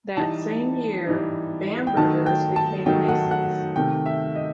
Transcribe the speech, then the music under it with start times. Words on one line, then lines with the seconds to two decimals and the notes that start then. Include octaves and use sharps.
That same year, Bamberger's became Macy's.
0.17 E3 G3 D#4 A5
1.07 E3 G3 D#4
1.87 G5
1.96 D#3 F#3 A3 D#4 A5
2.26 G5
2.56 A5
2.86 D#3 F#3 A3 D#4 G5
3.08 F#5
3.31 F#5
3.76 C3 D#3 A3 G5
4.06 E5
4.35 D#5